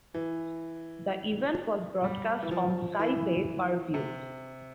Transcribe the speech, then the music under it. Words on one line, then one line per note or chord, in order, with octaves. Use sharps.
The event was broadcast on Sky Pay per view.
E3
G3
E3
F3
E3
C3